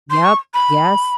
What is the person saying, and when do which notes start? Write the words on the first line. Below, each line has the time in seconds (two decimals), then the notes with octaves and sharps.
Yup, yes,
0.10 C6
0.24 C#6
0.54 B5